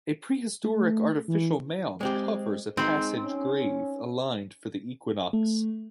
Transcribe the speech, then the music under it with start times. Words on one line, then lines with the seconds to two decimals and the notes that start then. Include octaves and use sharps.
A prehistoric artificial mound covers a passage grave aligned for the equinox.
0.64 A3
1.28 E3
2.01 G#3 C4 G4
2.77 G#3 C4 D#4 B5
3.23 C#4
5.33 A3